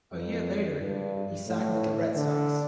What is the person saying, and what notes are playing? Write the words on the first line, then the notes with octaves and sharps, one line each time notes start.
A year later, he signed with the Red Sox.
F2
G2
A2
D3